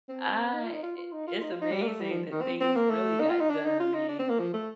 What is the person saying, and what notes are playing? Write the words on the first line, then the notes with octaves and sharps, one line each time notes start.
I i it's amazing that things really got done, I mean
C4
D#4
F4
D#4
F4
F4
D#4
F4
D#4
F4
D#4
G3
A#3
A3
G3
F3
D#3
C4
C4
A#3
A3
D#4
F4
D#4
D4
D#4
F4
D#4
D4
C4
A#3
F3
A3